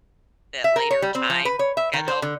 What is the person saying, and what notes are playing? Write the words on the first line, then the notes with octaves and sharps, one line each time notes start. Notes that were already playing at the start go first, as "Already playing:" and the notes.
that later time schedule.
E5
A#4
C#5
G3
C4
F3
B4
C#5
E5
D#3
C5
D3